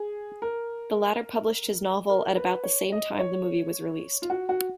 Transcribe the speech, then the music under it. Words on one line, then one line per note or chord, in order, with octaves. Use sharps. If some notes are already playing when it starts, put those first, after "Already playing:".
The latter published his novel at about the same time the movie was released.
Already playing: G#4
A#4
A#4
B4
C#5
D#5
C#5
F4
F#4
F#4